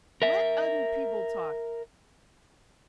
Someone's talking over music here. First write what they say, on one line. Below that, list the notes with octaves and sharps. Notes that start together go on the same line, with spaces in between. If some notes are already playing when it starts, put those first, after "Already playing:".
Let other people talk.
A#4 E5